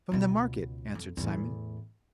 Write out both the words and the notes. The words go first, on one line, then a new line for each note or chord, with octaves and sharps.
'From the market,' answered Simon.
C#2 B2
F2
E2 A2